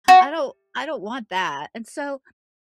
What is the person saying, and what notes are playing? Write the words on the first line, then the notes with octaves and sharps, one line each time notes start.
I don't I don't want that," and so
F#4